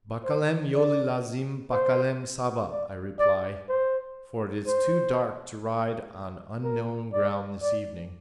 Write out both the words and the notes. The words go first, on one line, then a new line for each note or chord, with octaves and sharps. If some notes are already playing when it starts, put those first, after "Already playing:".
"Bacalem yole lazim, bacalem saba," I reply, for it is too dark to ride on unknown ground this evening.
C5
D5
C5
D5
D5
C5
C5
A#4
D5
D5